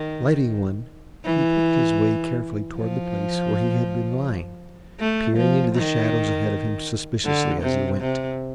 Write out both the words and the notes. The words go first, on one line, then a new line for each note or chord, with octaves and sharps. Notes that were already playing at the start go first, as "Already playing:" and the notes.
Lighting one he picked his way carefully toward the place where he had been lying, peering into the shadows ahead of him suspiciously as he went.
Already playing: D#3
E3
F3
A3
F3
D#3
D3
C3
C3